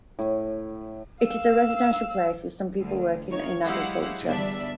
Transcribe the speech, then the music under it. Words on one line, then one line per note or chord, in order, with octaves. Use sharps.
It is a residential place with some people working in agriculture.
A2
F5 E6
D2 D3
D#3 C#5
F#3 G#3 E4 G4 F5 F#5
G1 E2 G2 D4 E5